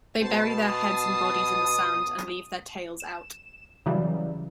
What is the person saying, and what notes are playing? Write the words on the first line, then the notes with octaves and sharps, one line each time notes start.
They bury their heads and bodies in the sand and leave their tails out.
B2 C5 A5 C7
D#6
E7
C#3 E3 F#3 G3